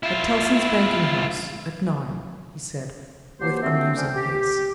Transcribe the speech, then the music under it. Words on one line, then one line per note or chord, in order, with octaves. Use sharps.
"At Tellson's banking-house at nine," he said, with a musing face.
E4 F4
F3 F#3 A#3 G4 C5
F#3 A3 A#3 C4
D3 G3 C#4 C5 G5
G4